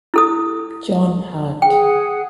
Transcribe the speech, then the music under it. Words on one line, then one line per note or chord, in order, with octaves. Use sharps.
John Hand.
E4 A4 D#6
G#4 F#5 G5